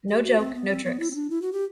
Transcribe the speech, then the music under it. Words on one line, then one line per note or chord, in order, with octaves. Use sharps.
No Joke, No Tricks.
G4
F#4
C4
B3
C4
B3
E4
C4
D4
E4
F#4
G4